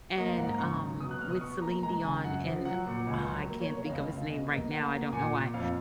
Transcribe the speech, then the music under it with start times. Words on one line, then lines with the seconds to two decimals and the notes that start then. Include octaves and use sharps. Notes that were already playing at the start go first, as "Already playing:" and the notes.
and, um with Celine Dion and, ah, I can't think of his name right now, I don't know why,
0.18 A#3 D#5
0.28 F5
0.38 G#2 F#5
0.49 A#5
0.59 C#3 C#6
0.80 F#3
1.00 B2 D#6
1.11 F#6
1.21 B2 F6
1.31 D#6
1.41 B2 C#6
1.62 A#3 A#5
1.83 G#3 A#5
2.03 C#3 G#5
2.24 F#2 F#5
2.44 F3
2.65 F#3 F#5
2.86 A#2
3.07 C#2
3.27 F#3
3.48 A#3
3.61 C#5
3.68 B2
3.75 C#5
3.85 F5
3.89 C#2 D#5
4.10 C#2 F5
4.30 B2 D#5
4.51 A#3 D#5
4.71 A#3 F#5
4.92 A#3
5.12 A#2 G#5
5.33 A#2
5.54 F2 F5